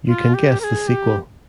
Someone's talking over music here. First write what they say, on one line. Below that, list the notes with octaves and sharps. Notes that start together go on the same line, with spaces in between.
You can guess the sequel.
F4
G4
A#4
G#4
G4